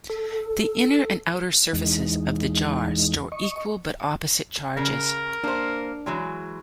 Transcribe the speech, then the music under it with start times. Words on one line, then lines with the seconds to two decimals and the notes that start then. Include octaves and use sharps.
The inner and outer surfaces of the jar store equal but opposite charges.
0.09 A4
1.73 E2 E3 G#3 D#4
3.32 D#5 C#6
4.77 C#3 A#4
5.44 A#3 D4 C5
6.06 E3 F#3 G#3